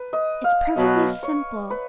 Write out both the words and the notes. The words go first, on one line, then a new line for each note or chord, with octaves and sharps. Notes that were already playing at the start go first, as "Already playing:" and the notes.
It's perfectly simple.
Already playing: B4
D#5
F5
B2 F#3 B3 D#5
C#5
B4